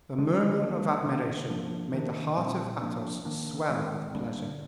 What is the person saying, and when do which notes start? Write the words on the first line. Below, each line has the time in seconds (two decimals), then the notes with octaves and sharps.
A murmur of admiration made the heart of Athos swell with pleasure.
0.18 D3 G#3 D4
0.62 D#3 A#3 D4
1.06 C3 D#3 A#3
1.50 F3 A#3 D4
1.94 D#3 A#3 D4
2.38 A#2 G3 C4
2.82 F3 A#3 D4
3.25 D#3 A#3 D4
3.69 D#3 G#3 C4
4.13 D3 G3 A#3 D4